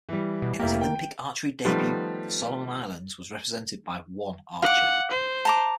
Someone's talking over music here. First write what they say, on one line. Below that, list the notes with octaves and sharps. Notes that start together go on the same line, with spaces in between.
In its Olympic archery debut, the Solomon Islands was represented by one archer.
E3 G3
B2
F1 A#3 E4 G4
G5
D#3 F3 G3 A3 B3
F5 F#5 D6
C5
A5 A#5 D6